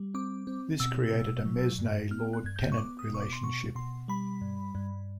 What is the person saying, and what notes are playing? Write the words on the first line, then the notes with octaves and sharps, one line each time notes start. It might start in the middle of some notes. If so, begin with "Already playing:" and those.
This created a mesne lord - tenant relationship.
Already playing: G3
C4 D6
C4
B2 E6
B2
F#3
G2
B3 F6
F#6
G2 G#6
G6
C#6
B3 D6
D#6
B2 C#6
D6
C6
B2 C#6
B2 C6
G3 B5
G2
G2